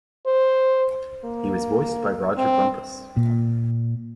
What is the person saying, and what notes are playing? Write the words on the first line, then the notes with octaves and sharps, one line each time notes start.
He was voiced by Rodger Bumpass.
C5
A#3
C4
A#2